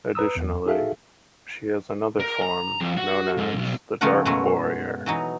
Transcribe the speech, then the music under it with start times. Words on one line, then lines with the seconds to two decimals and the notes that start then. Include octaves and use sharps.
Additionally, she has another form known as the Dark Warrior.
0.15 B4 A#5 D#6 E6
0.36 E2
0.66 D#4 F#4 G#4 A4 E5 F5
2.20 A#4
2.42 A#5
2.81 F2
2.97 F#4
3.37 G#2
3.55 B1
4.01 C#3 F3 G#3 A3 A#4 F#5
4.25 F#2 B2 F#3 G#3 A3
5.06 E3 F#3 D#4